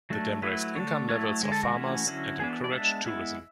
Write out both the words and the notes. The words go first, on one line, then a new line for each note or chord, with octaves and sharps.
The dam raised income levels of farmers and encouraged tourism.
F#3 A3 D4
F#3 A3 E4 B4
D3 A3 D4 C#5
F#3 A3 E4 C#5
D3 G#3 B3
A4
F#4
E3 A3 C#4 E4
D3 F#3 C#4 E4
E3 B3 D4 G#4
D5
G#3 B3 D4 E5
G#3 B3 E4